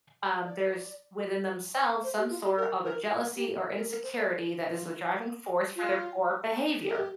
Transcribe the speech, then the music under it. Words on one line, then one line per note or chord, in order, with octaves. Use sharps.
um, there's within themselves some sort of a jealousy, or insecurity that is the driving force for their poor behavior.
D5
C5
G4
F4
G4
A#4
A#4
G4
A#4
A#4
C5
D5
F4
F4
G4
A#4
G4